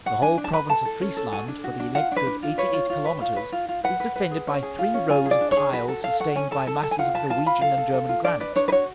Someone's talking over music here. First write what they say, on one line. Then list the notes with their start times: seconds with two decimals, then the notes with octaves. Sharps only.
The whole province of Friesland, for the length of eighty-eight kilometres, is defended by three rows of piles sustained by masses of Norwegian and German granite.
0.06 F#4 F#5
0.22 D4 G#5
0.38 D4
0.44 A5
0.53 B4 B5
0.69 A4 A5
0.85 A4
1.01 C#4
1.17 A4
1.32 F#4 G#5
1.48 D4
1.64 F#4
1.79 D4
1.95 F4 F#5
2.11 D4 B4
2.27 D4
2.43 F4
2.58 B4 C#5
2.73 F4
2.90 F4
3.05 B4
3.21 F4
3.36 B4
3.52 F4
3.68 F4
3.84 B4 F#5
4.00 B4
4.16 B4
4.31 G#4
4.47 C#4
4.63 G#4
4.79 F4
4.94 C#4
5.10 F4 G#5
5.26 G#4
5.31 D5
5.41 D4
5.52 C#5
5.57 G#4
5.73 F#4 B4
5.88 A4
6.04 A4 F5
6.20 F#4 F#5
6.35 C#4 G#5
6.51 A4 A5
6.67 A4 A5
6.83 A4 A5
6.91 G#5
6.99 F4 F#5
7.14 B4 A5
7.30 F4 A5
7.46 F4 B5
7.61 A4 F5
7.77 A4
7.93 A4
8.09 F4
8.24 D4 D5
8.40 B4 D5
8.56 D4 C#5
8.68 B4
8.72 F#4 C#5